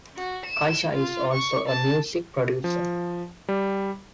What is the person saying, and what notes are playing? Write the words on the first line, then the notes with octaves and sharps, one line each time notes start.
Kaysha is also a music producer.
F#4
E7
F4
C#6
A5
F3
G3